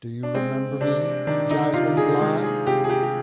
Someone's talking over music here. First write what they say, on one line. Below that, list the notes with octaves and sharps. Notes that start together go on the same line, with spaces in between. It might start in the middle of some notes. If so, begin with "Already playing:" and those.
Do you remember me, Jasmine Bligh?
D4
G#3 C4
C3 D4
D#3 D4
D#4
C3 F4
G#4
G#3
G#4
C3 G4
G#4
G4
G4